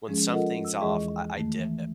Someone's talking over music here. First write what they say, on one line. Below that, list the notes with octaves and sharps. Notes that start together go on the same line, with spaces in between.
when something's off, I I dip.
F3 G#3 C#4 G#4
F4 A4 A#4 D#5 F#5
E6
E2 E3 G#3 G#4 D#5 C#6
D#3 A3
E3